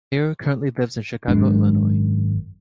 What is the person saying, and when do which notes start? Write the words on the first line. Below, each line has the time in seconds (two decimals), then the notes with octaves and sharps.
Thayer currently lives in Chicago, Illinois.
1.28 G#1 F#2 G#3 D4